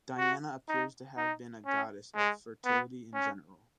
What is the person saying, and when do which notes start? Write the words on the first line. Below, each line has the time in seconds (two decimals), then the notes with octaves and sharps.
Diana appears to have been a goddess of fertility in general.
0.18 F#4
0.69 D#4
1.17 D#4
1.66 C#4
2.16 G#3
2.65 B3
3.14 C#4